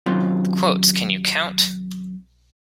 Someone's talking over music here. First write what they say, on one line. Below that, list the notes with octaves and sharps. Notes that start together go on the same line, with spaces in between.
The quotes, can you count?
F#2 C3 D#3 F#3 F4 C6